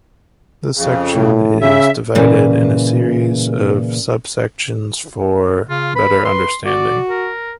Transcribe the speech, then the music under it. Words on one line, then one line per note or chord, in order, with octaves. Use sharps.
This section is divided in a series of sub-sections for better understanding.
F2 C#3
A2
C#3 E5
A#2 C#3 E3
C#3 F4
B4 B5
C6
F#4 D5
A#4